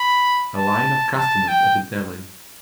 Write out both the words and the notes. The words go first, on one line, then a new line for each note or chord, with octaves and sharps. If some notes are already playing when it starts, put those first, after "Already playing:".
A line of customers at a deli.
Already playing: B5
A5
A5
G5